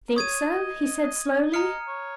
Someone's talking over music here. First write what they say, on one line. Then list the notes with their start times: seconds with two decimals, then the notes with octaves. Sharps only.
"Think so?" he said slowly.
0.09 A#4
0.16 C#5 D#6 G#6 D#7
0.50 D#5
1.53 D#5 A#5 F6 C#7
1.88 C#5